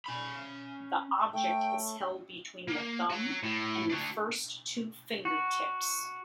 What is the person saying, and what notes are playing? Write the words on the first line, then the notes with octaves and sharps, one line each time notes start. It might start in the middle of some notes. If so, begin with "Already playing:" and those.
The object is held between the thumb and first two finger tips.
C#4 B5
A3 C#5 G5
A#3
F#4 A#5
A2
D4 F#4
F#4